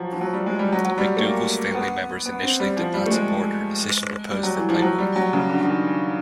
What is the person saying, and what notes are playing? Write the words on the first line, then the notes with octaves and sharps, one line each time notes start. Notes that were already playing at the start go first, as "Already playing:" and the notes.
McDougal's family members initially did not support her decision to pose for "Playboy".
Already playing: F3 F#3
F3
F#3
G3
G#3
G3
F#3
F#3
G3
A3
A#3
A#3
B3
B3
C4
G3
F3
G3
A3
G#3
G3
F#3
E3
F3
F#3
G3
F#3
C#3
D3
D3
D#3